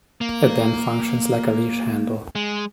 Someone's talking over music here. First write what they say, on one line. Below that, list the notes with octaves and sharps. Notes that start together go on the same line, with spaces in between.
It then functions like a leash handle.
A#3
G#3